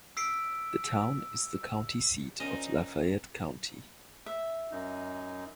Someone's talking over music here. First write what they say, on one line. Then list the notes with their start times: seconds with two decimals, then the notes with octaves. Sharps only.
The town is the county seat of Lafayette County.
0.17 E6 B6 C7 D7
2.40 A#2 C4 C#4 D#4 D#5
4.26 E5
4.71 F#2 D#4